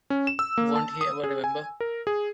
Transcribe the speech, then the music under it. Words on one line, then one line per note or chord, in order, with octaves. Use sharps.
Won't he ever remember?
C#4
E7
E6
A#3
A5
D#6
G#4
G#5
A#4
G#4